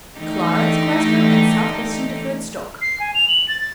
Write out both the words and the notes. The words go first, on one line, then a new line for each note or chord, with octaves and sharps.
Clara is Glasgow and South-Western Deferred Stock.
D3 E3 A3 D#4 G4
C7
G#5
F7
F#7
A6
A6